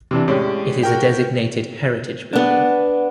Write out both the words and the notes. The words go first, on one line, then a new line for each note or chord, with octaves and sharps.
It is a designated heritage building.
C3 E3 D4
A2 G#3 C#4 G4 D5
F#4 A#4 G5
B3 D4